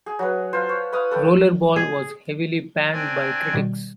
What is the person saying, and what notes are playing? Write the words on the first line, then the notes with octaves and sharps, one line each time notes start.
"Rollerball" was heavily panned by critics.
G#4
F#3 B4
F4 B4 C5 A5
C#5
B4 F5 D#6
A4 B4 C#5 G5
G#4
C4 D4 G#5
B2 D#3 G3